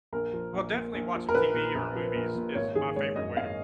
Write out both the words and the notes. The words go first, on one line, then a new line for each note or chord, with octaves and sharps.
Well, definitely watching TV or movies is my favorite way to
A#1 A#4
F3
A#1
A#2
A#1
F3
A#4
A#1 B4
A#2
A#1
F3
A#1
A#2
G#1 C#5
D#3 G#4
G#3 C#5
F#2 D#5
G#1 F5